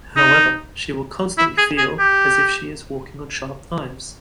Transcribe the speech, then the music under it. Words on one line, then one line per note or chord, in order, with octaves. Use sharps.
However, she will constantly feel as if she is walking on sharp knives.
D#4
E4
G#4
G#4
G4